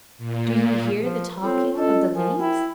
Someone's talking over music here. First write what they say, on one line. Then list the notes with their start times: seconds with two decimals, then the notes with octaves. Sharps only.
Do you hear the talking of the leaves?...
0.18 A#2
0.99 F3
1.42 C4 F4 A4 C#5
1.75 C#4 F4 A4 D#5
2.15 F3 A#4 G#5
2.39 E4 G5